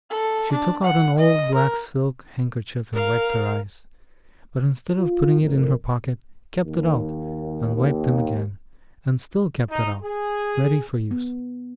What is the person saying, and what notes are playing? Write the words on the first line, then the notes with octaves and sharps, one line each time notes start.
She took out an old black silk handkerchief and wiped her eyes; but instead of putting it in her pocket, kept it out, and wiped them again, and still kept it out, ready for use.
A4
D4
F#5
D#5
A#4
A#4 F5
F4
F2 A2 A#4
D#2
D#2
D#4
G#4
B3